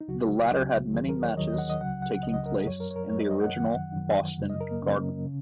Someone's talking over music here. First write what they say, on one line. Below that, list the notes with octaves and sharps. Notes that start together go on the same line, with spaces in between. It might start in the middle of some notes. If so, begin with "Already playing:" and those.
The latter had many matches taking place in the original Boston Garden.
D#4
C#2 C#3 F#3 F#4
C#2 C#3 F#3
D#2 D#3 F#3 G#4
A#4
C#5
D#2 D#3 F#3 D#5
D#5
F#5
D#5
C#2 C#3 F#3 F#5
F#5
C#2 C#3 F#3 D#5
D#5
A#4
G#4
F#2 F#3 C#5
A#4
C#5
A#4
F#2 F#3 C#5
D#5
D#5
F#5
F#2 D#3 F#3 F#5
F#2 D#3 F#3
F#2 C#3 F#3
D#5
A#4
A#3
F#2 C#3 F#3 C#4
C#3